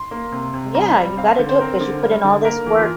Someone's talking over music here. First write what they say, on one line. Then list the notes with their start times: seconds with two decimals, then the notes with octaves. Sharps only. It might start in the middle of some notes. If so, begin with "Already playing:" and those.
Yeah, you gotta do it because you put in all this work
Already playing: C6
0.11 A#3
0.32 C3
0.54 C3
0.74 G3 A#5
0.96 G3
1.17 C4 F5
1.39 D3 C5
1.49 C5
1.60 C4 A#4
1.81 D3
2.03 G3
2.24 D3
2.44 A#3 A#4
2.66 E3
2.79 F4